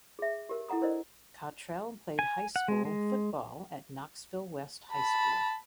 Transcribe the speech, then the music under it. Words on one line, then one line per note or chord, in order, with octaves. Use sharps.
Cottrell played high school football at Knoxville West High School.
G#4 E5
G4 A#4
E4 A4 F#5 A#5 D#6
D4 A#4 C5 D5 D#5
G#5
F#5
G#3
G#3
A5 B5